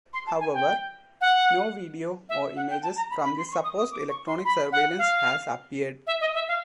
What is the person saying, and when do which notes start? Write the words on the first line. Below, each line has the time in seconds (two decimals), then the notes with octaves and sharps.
However, no video or images from this supposed electronic surveillance has appeared.
0.13 C6
0.27 A5
0.40 G#5
0.54 G5
1.21 F#5
2.29 E5
2.56 F#5
2.70 G5
2.83 A5
2.97 A#5
3.10 B5
3.24 B5
3.38 C6
3.51 C#6
3.64 D#6
3.77 D#6
3.91 D6
4.09 C#6
4.27 C6
4.45 B5
4.72 F#5
4.98 F5
6.07 E5
6.21 D#5
6.35 E5
6.48 F5